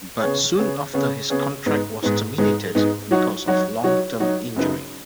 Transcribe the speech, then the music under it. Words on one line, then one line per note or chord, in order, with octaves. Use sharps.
But soon after his contract was terminated because of long term injury.
C#3 B3 G#4 C#5
C#3 B3 G#4 C#5
C#3 B3 G#4 C#5
C#3 B3 G#4 C#5
G#2 G#3 B3 D#4
G#2 G#3 B3 D#4
G#2 G#3 B3 D#4
G#2 G#3 B3 D#4
F#3 D#4 F#4 C#5
F#3 D#4 F#4 C#5
F#3 D#4 F#4 C#5
F#3 D#4 F#4 C#5
F#2 C#3 B3 D#4 B4